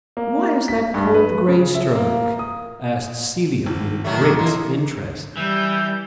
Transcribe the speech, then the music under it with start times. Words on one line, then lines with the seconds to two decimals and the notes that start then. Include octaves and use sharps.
"Why is that called the Grey stroke?" asked Celia with great interest.
0.17 A#3
0.68 B6
0.94 G2
1.15 B4
1.48 C#3
1.75 E5
1.95 A#3
2.39 D#6
3.66 G#1
4.04 D#3 F#3 A3
4.21 D6 E6 C#7
4.39 E3 A#3 D#5 C6
5.37 E3 G3 E6 G6